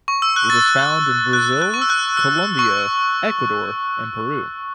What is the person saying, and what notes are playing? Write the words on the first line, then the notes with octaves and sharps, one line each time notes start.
It is found in Brazil, Colombia, Ecuador, and Peru.
C#6
E6
F#6
A6
F#6
F#6
C#6
E6
F#6
E6
E6
C#6